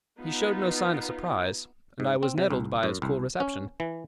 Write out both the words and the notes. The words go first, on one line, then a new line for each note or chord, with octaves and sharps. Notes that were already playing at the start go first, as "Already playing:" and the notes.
He showed no sign of surprise, and I was nettled by his cool reception.
B3 D#4 F4
G#2
C4
C3
C2
F#2
C2
C#4
E3